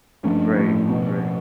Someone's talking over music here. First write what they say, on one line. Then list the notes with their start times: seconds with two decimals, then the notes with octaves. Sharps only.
Right, right.
0.24 G2 F3 A3 C#4
0.56 A2
0.88 B2